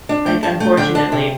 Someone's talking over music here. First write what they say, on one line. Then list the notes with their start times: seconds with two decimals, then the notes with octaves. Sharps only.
Like, unfortunately I
0.09 D4
0.26 A3 G5
0.43 G2 A5
0.60 A3 G5
0.77 D3 G5
0.95 D4 A5
1.12 C3